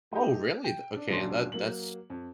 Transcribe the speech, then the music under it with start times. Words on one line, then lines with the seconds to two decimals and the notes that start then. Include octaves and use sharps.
Oh, really? The Okay, and that that's
0.12 A3 D#4 G4
0.64 G5
0.96 D4
1.09 D#1 C#3 F#3 D4 C6
1.52 F#3 A#3 F#7
2.10 F2